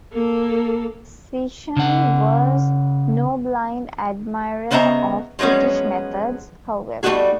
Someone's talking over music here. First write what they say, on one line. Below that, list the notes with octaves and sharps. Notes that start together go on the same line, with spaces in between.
Sisson was no blind admirer of British methods, however.
A#3 A4
C#3 F#5
C#3 B3 C5 D#5 E5 A#5
F3 F#3 G#3 B3 C#4
G3 A3 A#3 D#4 F#4 G#4